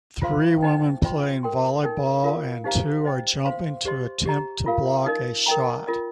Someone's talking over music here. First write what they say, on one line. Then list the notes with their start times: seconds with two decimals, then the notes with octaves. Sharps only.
Three women playing volleyball and two are jumping to attempt to block a shot.
0.22 F4 C5 F5 C6
0.63 D#4 C5 D#5 G5
1.03 F4 C5 D#5 G5 C6
1.43 A#4 G5 C6
1.83 D#4 A#4 G5
2.24 F4 A#4 F5
2.64 D#4 G4 C5 F5 A#5
3.05 C5 D#5 G5
3.45 C5 F5 C6
3.85 G4 C5 D#5 C6
4.26 G4 D#5 A#5
4.66 F4 A#4 F5
5.06 D#4 A#4 D#5
5.46 A#4 D#5 G5 A#5
5.87 F4 A#4 D#5